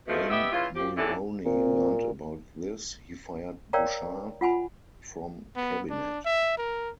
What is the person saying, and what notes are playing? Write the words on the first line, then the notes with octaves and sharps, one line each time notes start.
When Mulroney learned about this, he fired Bouchard from cabinet.
B2 D#3 F3 A3
B3 G4 D#5 E5
C#3 E3 F4
F3 G4
D#2 A2 D3 E3 A4
A#2 C4
A#4 C#5 D5 F5 G5 A#5
F4 F#5 G#5 B5
B3
D4
E5
A#4